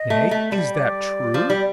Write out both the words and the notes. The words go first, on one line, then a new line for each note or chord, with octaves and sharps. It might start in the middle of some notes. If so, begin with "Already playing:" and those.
"Nay, is that true?"
Already playing: D#5
A3
A3
G3
D5
F3
G3